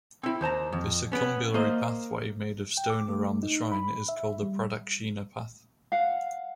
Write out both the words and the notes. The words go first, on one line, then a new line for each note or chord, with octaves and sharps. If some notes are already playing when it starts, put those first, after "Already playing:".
The circumbulary pathway made of stone around the shrine is called the Pradakshina path.
C4 E4
D#2 C5 A5 A#5
F2
B3 C#4
A#3 C5 D#5
G5
D6
A3
D#4
B5
E5
G3
F5 F#5